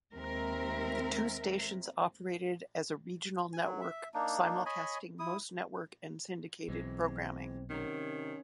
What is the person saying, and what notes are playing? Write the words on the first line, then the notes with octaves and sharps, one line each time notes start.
The two stations operated as a regional network simulcasting most network and syndicated programming.
D#2 G#3 C4 A#4 E5
G#5
F#3
E5
A#3 D4 D#4
C#5 D#5 G#5 B5
E4 D#6
B1 E3 G#3 C4
C3 D#3 C#4 A#4